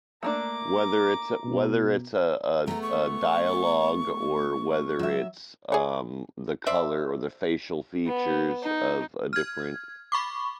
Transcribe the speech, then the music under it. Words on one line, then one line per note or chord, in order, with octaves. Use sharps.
Whether it's a whether it's a a a dialogue or whether it's, um, the color or the facial features of a different
A3 A#3 D4 A#5 D6
B2
A3 B3 A#5
C#6
F#3 E5
G#4 C#5
C5 D5 E5
B3
D#4
F6 G#6
B5 C#6 D6